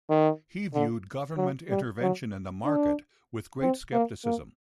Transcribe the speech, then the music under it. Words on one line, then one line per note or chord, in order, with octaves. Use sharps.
He viewed government intervention in the market with great skepticism.
D#3
D3
F#3
G3
F#3
D4
C4
A#3
A#3